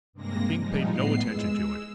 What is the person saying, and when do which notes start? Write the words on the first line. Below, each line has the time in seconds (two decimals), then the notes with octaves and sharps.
The king paid no attention to it.
0.13 G2 C3 G#3 A#3 A#6
0.58 F3 G3 G#3 D#4
0.91 A2 B3 C7
1.23 G#3 E6